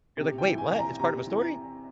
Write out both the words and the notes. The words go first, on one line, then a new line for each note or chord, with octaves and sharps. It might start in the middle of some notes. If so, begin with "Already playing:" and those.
You're like, "Wait, what? It's part of a story?
C3
G5
E3
G#5
E3
A#5
C3 A#5
E3